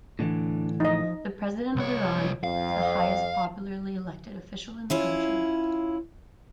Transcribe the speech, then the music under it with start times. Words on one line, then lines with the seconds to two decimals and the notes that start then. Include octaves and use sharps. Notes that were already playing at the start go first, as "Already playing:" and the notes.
The President of Iran is the highest popularly elected official in the country.
0.19 A2 D3 E3 D4
0.80 F3 D#4 D#5
1.76 C2 C#5
2.44 F2 F5
4.90 C#4 E4 F4